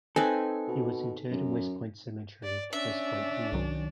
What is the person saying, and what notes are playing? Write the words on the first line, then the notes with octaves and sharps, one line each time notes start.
He was interred in West Point Cemetery, West Point, New York.
C4 D#4 A4 B4 G#5
B2
F#2
D5
C#4 D4 E5
C2 D#3 F#3